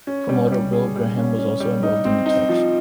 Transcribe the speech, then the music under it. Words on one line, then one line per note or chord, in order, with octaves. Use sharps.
Promoter Bill Graham was also involved in the talks.
C#4
G3
G3
G#4
G3
C#4
C#4
G3
D#4
C4
D#4
F3